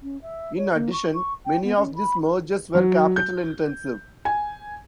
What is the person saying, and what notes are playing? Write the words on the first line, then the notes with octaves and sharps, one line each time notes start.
In addition, many of these mergers were capital-intensive.
C#4
E5
C#5
A#3
C#6
C#6
G5
B3
C#4
B5
F#3
G6
G#5